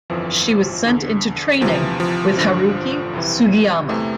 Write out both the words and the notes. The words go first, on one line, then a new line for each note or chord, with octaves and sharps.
She was sent into training with Haruki Sugiyama.
G1 F2 E3 F3
E2 D3
D2 C3 E3 F3
F3
A1 G2 D3 F3
C2 C3 E3
E2 C3 E3 A3